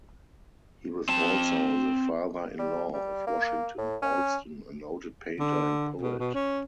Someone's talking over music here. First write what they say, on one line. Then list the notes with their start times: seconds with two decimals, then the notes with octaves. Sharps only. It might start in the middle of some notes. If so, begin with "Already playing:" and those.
He was also the father-in-law of Washington Allston, a noted painter and poet.
1.09 C4 A5
2.59 G3
2.94 G3
3.27 A#3
3.78 A2
4.02 C#4
5.39 D3
6.01 B2
6.20 B2
6.34 C#4